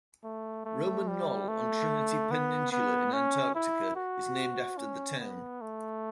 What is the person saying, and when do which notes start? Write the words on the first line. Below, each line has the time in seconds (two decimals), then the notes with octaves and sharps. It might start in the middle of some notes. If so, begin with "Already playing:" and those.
Roman Knoll on Trinity Peninsula in Antarctica is named after the town.
0.24 A3
0.65 A3
1.07 G3
1.48 A3
2.31 B3
2.72 B3
3.13 C#4
3.55 E4
3.96 F#4
4.78 C#4
5.19 B3
5.61 A3